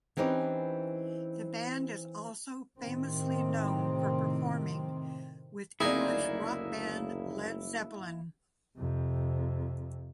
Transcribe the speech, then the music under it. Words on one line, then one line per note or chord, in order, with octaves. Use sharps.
The band is also famously known for performing with English rock band Led Zeppelin.
E3 C4 C#4 D#4 G4 B4
A2 C3 D#3 C4
F#1 D2 A#3 D#4 E4 G#4 D5
F2 C3